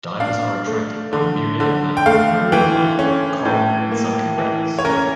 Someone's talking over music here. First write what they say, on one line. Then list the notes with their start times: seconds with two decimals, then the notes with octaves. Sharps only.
Divers are attracted by myriad macro marine life, coral and sunken wrecks.
0.20 D4 F5
0.67 A3
1.13 D3
1.60 D3
1.97 G5
2.06 A3 F5
2.52 E3 G5
2.99 C#4
3.45 A2
3.91 A#3
4.38 E3
4.79 C#5
4.85 C#4 A#4